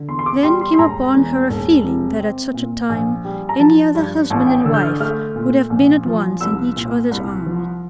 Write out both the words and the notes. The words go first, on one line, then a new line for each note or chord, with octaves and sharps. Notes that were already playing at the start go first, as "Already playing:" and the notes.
Then came upon her a feeling that at such a time any other husband and wife would have been at once in each other's arms.
Already playing: D3
E2 C6
C6
D6
G3 C6
C6
C6
E1 A#5
E2
E1
C3
C4
A#2
A#1
G3
A#5
F3 A5
G2
A1 A5
G5
D3 E6
G6
F6
A3 F6
A#2
A#1
F3
C2 E6
A#2
C2
F3